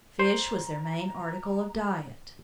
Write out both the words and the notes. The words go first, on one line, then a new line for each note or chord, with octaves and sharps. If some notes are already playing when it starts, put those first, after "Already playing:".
Fish was their main article of diet.
C5 A#5